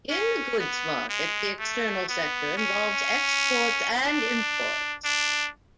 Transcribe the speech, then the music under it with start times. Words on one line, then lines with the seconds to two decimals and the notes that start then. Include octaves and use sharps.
In the goods market, the external sector involves exports and imports.
0.10 C#4
0.60 B3
1.09 G#3
1.59 A3
2.09 B3
2.57 C#4
4.06 D4
5.04 D4